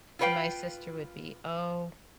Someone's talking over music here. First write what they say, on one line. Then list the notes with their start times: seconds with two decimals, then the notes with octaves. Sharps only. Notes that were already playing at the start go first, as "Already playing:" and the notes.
And my sister would be, "Oh,
0.19 F4 F#4 B4 C#5 F5 G5